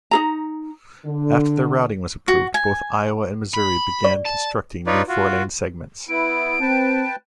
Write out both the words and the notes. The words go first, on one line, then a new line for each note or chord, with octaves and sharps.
After the routing was approved, both Iowa and Missouri began constructing new four-lane segments.
D#4 G#4 A#5
D3
F#4
G#5
B5
D5
A5
D#4 F4 B4 C#5 D5
F4 F#4
B3 E4 D7
C4 B4 G5 A5